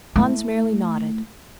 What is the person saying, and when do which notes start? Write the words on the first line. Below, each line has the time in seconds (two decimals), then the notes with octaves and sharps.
Hans merely nodded.
0.16 A3 E4